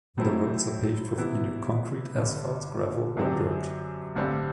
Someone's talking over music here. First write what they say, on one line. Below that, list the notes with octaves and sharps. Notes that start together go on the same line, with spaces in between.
The roads are paved with either concrete, asphalt, gravel or dirt.
A2 F#3 C4 E4 A4
C3 E3 B3 E4
G1 G2 D3 G3
F#2 D3 F#3 C4 G4
A1 G2 D3 G3 C4